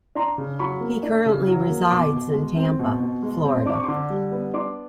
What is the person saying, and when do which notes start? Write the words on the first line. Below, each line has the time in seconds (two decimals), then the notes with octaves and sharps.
He currently resides in Tampa, Florida.
0.15 D4 A#5 C6
0.38 C#3
0.59 F#3 B5 C#6
0.81 A#3
1.03 D4
1.26 C#3
1.47 F#3
1.69 A#3
1.90 B2 C6 D6
2.13 B2
2.34 G#3
2.56 C4
2.79 B2
3.00 B2
3.23 G#3
3.45 C4
3.66 D4 D6
3.75 C#6
3.84 D3 C6 D6
4.10 G3
4.32 B3
4.54 D4 C6 D6